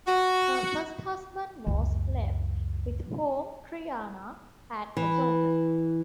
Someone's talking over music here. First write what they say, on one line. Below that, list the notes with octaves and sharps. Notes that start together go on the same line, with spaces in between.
Her first husband was Lev, with whom Triana had a daughter.
F#4
C#2 F#2
E3